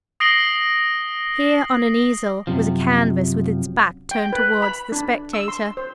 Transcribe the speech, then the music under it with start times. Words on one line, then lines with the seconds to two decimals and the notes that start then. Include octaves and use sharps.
Here, on an easel, was a canvas with its back turned towards the spectator.
0.20 D#6 A#6 C7 D7 F#7 G7
2.47 F#2 C3 F3
4.11 G5
4.33 B4
4.62 B5
4.92 D4
5.33 E6
5.48 C6
5.77 C5